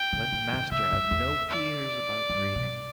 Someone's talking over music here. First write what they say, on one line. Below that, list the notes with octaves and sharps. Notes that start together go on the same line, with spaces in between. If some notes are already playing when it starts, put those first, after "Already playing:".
Let master have no fears about breathing.
Already playing: G5
C#3
E3
D3
C#3 E5
F#2
E2
D5
G2
B2